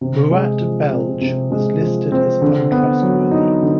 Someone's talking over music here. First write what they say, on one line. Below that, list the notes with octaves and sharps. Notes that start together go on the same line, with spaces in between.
Murat Belge was listed as untrustworthy.
C3
G#3
F3
C4
C3
G#3
F3
C4
D3
B3
F#3
D#4
D3